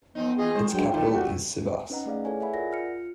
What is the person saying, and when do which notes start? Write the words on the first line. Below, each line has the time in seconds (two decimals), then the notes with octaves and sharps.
Its capital is Sivas.
0.15 F2 B3 C4 D#4
0.38 E3 F4 G#4 D#5
0.55 D#3 G#3 C5
0.72 G2 F#3 G#3 G5
0.92 D#3 G3 A3 D#4 F4
1.12 F#4 G4
1.90 C#4 D#4 B4 D#5 F#5 A#5
2.06 A3 G#4 D5 F5
2.25 E4 G#4 A4 B4 C#5 G#5
2.40 G#4 E5 F#5 G#5 B5
2.54 F4 A#4 D5 F#5 A#6
2.72 F4 F6 C#7